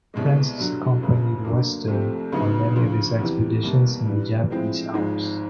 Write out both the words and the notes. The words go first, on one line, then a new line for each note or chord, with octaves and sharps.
Frances accompanied Weston on many of his expeditions in the Japanese Alps.
C2 B2 G#3
G2 D3 F#3
G1 F#2 C#3
D2 D3 F#3 A#3
C2 C3 F3 A3 C4
D2 C#3 F#3 B3 D#4
D2 C#3 F3
E2 C3 E3
C2 B2 G3 A#3
G2 E3 G3 B3
A2 F3 G#3 C4 E4
G#1 G#2 F3 G#3